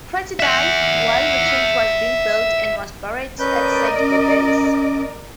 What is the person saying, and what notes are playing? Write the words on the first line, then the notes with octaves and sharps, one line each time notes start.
Pratt died while the church was being built and was buried at Saint Bede's.
E5 F#5
C#4 A#4 B4 D5 D#5 G6
C#4 D6